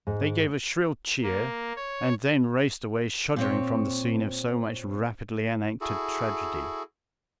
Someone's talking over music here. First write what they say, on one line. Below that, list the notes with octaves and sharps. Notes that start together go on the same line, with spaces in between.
They gave a shrill cheer, and then raced away shuddering from the scene of so much rapidly enacted tragedy.
G#2
A#3
C#5
A#2 C4 C#5
E4 F#4 G#4 A4